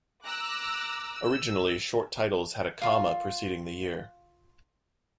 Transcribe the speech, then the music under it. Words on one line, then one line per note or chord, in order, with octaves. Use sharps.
Originally short titles had a comma preceding the year.
A#5 D6 E6 F#6
E6
F4 F5